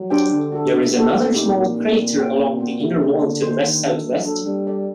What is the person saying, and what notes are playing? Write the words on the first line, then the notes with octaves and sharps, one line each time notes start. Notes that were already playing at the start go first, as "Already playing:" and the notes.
There is another small crater along the inner wall to the west-southwest.
Already playing: F#3
D4 G4 C5 G5
D3 D4
F#4 A4
C3 D4
F#4 A4
A#2 A3
C4 D#4 G4
A#2 A3
C4 D#4 G4
C4
F#4 C5 G5
C4
F#4 C5 G5
C3 A#3
D4 G4 C5 D#5
D3 A#3
D4 G4 C5 D#5
D#3 A#3
D4 A4 C5
F#3 A#3
D4 A4 C5
G3 D4
A4 D5